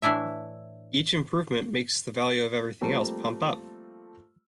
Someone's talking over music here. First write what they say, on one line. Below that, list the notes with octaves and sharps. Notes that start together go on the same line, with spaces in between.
Each improvement makes the value of everything else pump up.
A2 E3 D4 E4 E5
F3 G3 A3 A#3 C4